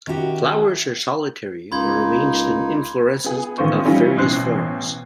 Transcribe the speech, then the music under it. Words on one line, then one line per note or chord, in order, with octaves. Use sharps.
Flowers are solitary or arranged in inflorescences of various forms.
D#3 C#4 E4 F#4 G4
C#2 A#3 D#4 B5 C6 G#6
B3 G#4
A1 D#3 B3 F4 C5 C#6
E3 F3 G3 C4 C#4 D#4
A1 B2 C#4 C5 F#6 C7